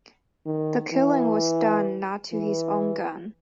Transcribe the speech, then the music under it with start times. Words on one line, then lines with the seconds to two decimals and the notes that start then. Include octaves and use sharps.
The killing was done not to his own gun.
0.46 D#3
0.93 E3
2.33 E3